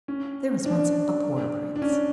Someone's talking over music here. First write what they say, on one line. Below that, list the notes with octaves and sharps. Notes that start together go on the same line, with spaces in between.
There was once a poor Prince.
C#4
D4
D4
C#4